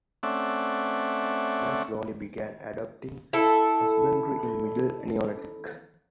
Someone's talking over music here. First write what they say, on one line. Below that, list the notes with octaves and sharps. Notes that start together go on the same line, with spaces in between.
They slowly began adopting husbandry in middle Neolithic.
A3 C4 C#4 D5 E5 F#5
E4 A4